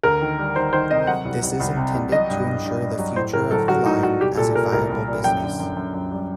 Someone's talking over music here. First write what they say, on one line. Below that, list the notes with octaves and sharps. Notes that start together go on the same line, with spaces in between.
This is intended to ensure the future of the line as a viable business.
D2 A#4
D#3
G3
D#3 C5
D#3 C5
C3 D#5
F#3 F#5
C2
C2
C2
C3
C2
F#3 D#5
G2
G2
G2
G2
F#3
A2 C5
A2 A#4
F#3 A4
F#3 F#4
A2 D#4
A2 F#4
C2 G4
A#2 A4
A#2 A#4
C2 A#4
C2
A#2
F#2 G5
D3
F#2
F#2
F#2
G3